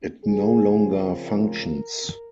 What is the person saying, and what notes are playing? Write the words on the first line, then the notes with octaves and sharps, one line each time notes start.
It no longer functions.
C#3 F3 C4 G#4
A#4